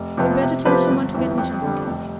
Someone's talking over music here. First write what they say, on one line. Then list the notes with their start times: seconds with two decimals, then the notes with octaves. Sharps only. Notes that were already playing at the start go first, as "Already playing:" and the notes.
You had better tell some one to get me something to eat.
Already playing: F1
0.17 F2 C3 F3 B3
0.41 C3
0.65 F3 C4 G4 B4
0.90 G1
1.14 F2 E3
1.38 F2
1.62 D3 G3
1.86 F1